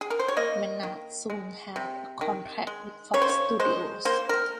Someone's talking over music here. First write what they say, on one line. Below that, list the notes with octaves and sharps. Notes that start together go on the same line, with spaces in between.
Maynard soon had a contract with Fox Studios.
G#4
A#4
C5
C#5
A#3 D#5
D#3
G#3
C3
D#3
G#3
C#3 C#5
C5
C#5
G#3 C5
A#3 C5
A#4